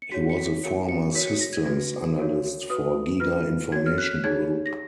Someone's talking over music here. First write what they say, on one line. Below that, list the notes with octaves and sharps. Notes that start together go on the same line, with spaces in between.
He was a former systems analyst for Giga Information Group.
C#7
F#4 C#5 B6
C#7
B6
F#4 A#4 C#5 C#7
C#7
F#4 A#4 C#5 B6
C#7
A#6
G#6
F#4 B4 G#6
F#4 A#4 C#5
F#4 B4 D#6
F4 B4 F6
F#4 C#5 G#6
F6
F#6
D#4 G#4 C#5 G#6
A#6